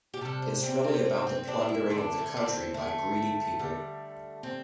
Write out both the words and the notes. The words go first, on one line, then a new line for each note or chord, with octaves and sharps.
It's really about the plundering of the country by greedy people.
G4
C3 G3 A4
C5
C4
C4
C4
C4
D4
E4
D3 A3 D4
A3
D4
C4
A3
D3 G3
C4